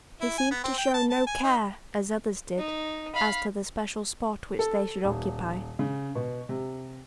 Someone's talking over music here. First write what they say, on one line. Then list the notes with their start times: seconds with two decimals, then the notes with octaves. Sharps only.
He seemed to show no care, as others did, as to the special spot which they should occupy.
0.21 E4
0.38 G#5
0.51 B3
0.64 C4
0.78 G5
0.94 A5
1.10 A5
1.27 G#5
1.44 D#4
2.58 D#4
3.14 F5 B5
4.59 A4
5.04 D#1
5.79 C#3
6.15 B2
6.49 C3